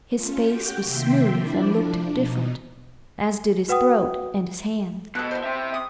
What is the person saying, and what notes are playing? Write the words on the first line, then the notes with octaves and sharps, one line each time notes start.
His face was smooth and looked different, as did his throat and his hands.
A3 C#4 F4
F#4 G4 G5
C3 D#3 A#3 E5 G5 C6
F3 D4 E4 D5
F3 D4
B2 D#4
F#4 B4 F#5 G5 D#6
B2 A4 F#6
E4 C5
C4 E5
D#6